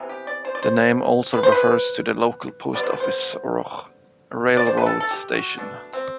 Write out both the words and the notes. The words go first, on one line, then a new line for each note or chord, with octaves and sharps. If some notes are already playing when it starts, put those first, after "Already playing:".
The name also refers to the local post office or railroad station.
Already playing: C3 E3 B3
G4
D5
C5
D5
C5
B4
C5
B4
D3 G3 B3 D5
C5
B4
C5
D5
C5
B4
A4
A4
G4
F#4
B2 A3 D4
C4